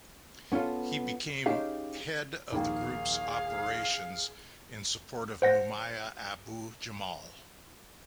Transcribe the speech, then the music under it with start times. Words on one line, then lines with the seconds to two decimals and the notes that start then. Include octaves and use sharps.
He became head of the group's operationsin support of Mumia Abu-Jamal.
0.52 B3 C#4 D4 F4 A4
1.46 C#4 D#4 G4 G#4 F5
2.52 A#1 D#2 A#3 D#4 G#4 F5 G5
5.42 C5 F#5 A#6